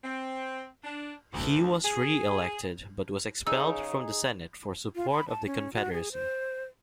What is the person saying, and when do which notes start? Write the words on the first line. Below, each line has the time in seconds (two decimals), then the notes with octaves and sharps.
He was reelected but was expelled from the Senate for support of the Confederacy.
0.03 C4
0.84 D4
1.33 D2
1.83 G#4
3.47 C#3 D#4 G#4 E6
4.95 F4
5.10 B5
5.29 A5
5.46 C#4
5.74 F#4
5.93 G#4
6.12 C5